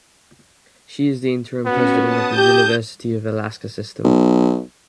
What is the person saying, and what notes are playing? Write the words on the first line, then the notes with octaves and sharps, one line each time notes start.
She is the interim president of the University of Alaska system.
B3 C#4 F#4
A5 D#6
G4 G6
B1